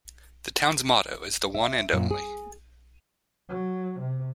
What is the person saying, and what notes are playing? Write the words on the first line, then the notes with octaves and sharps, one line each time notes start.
The town's motto is The One and Only.
E5
F#2 A#2
G#4
F#3
C3